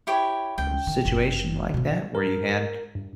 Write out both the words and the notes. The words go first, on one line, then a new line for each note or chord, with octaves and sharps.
situation like that, where you had,
E4 G4 C#5
C#2 G5
D#3
G1 F#2
B2 F3
A#4
G2